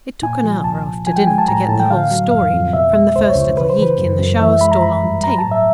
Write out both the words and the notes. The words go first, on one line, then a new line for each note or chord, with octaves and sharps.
It took an hour, after dinner, to get the whole story, from the first little yeek in the shower stall, on tape.
A#2 G#5
F3
C2 A5
C2
F3 G#5
G5
G#3 G#5
A5
A2 A#5
A2 A5
G5
D3 F5
F#3
F2 F5
F2
B2 E5
G#3
C#2 C5
C#5
C#2
C#3 B4
C5
E3 B4
F#2
F#2
E3 E5
G#3 B5
A#5
G2 B5
G2
F#3 A#5
A5
A2
E5